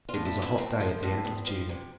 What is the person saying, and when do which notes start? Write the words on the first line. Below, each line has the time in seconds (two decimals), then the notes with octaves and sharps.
It was a hot day at the end of June.
0.09 F4
0.14 A2
0.25 E4
0.37 F3
0.42 E4
0.58 A2 C4
0.80 F3
1.03 A2
1.25 E2
1.47 F3
1.69 C3